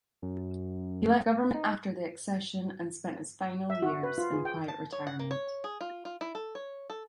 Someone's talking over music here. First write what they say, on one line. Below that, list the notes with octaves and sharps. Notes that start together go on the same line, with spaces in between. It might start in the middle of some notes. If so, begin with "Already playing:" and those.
He left government after the accession and spent his final years in quiet retirement.
F#2
D#4
E5
F#4
B4
F4
G#4
G5
A5
C#5
F#5
A#3
C#5
G#4
F4
F4
E4
A4
C#5
A4